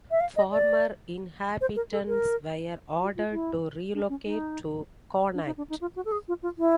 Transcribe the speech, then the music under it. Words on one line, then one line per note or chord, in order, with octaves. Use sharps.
Former inhabitants were ordered to relocate to Connacht.
E5
F5
D#5
D5
C5
A#4
A4
A#4
F#4
F4
E4
D4
C#4
D#4
D4
D#4
D4
D#4
F4
F#4
A4
G#4
F4
F4
E4